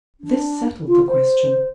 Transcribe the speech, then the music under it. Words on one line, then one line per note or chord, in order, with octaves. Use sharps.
This settled the question.
D4
F4
C5